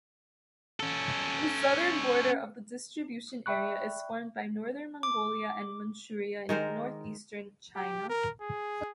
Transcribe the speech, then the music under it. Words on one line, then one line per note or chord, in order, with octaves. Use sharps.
The southern border of the distribution area is formed by northern Mongolia and Manchuria in northeastern China.
C#4 A4
D5 E5 G5 B5 C#6 F#6
D6
D#3 G#3 A#4 C5
G4
A#4
G#4